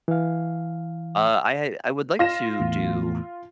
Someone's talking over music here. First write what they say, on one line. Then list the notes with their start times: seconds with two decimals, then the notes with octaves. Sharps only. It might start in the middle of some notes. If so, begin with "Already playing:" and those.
uh, I I would like to do,
0.08 E3 F5
2.19 F4 A#6 E7
2.60 E2 A2